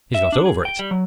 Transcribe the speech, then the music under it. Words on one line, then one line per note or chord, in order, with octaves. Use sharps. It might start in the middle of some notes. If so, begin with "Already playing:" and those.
He's got over it.
E5
D4
G#4
G5
G3
F#3